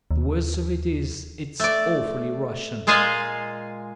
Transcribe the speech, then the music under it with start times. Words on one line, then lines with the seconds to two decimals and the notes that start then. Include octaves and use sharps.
The worst of it is it's awfully Russian.
0.11 D#2
1.60 A3 D5
2.87 A#2 G#3 F4 G#4 D#5 F5